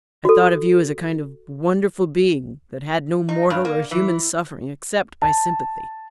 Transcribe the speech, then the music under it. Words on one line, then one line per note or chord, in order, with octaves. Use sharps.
I thought of you as a kind of wonderful being that had no mortal or human suffering except by sympathy.
F#4 A4
D#4
G2
A#3
E3
A5